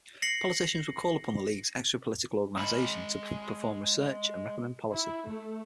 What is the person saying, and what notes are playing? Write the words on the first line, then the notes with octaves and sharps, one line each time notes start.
Politicians would call upon the League's extra-political organization to perform research, and recommend policy.
A#6 C7 C#7 F#7
G#3 B5
E4
A3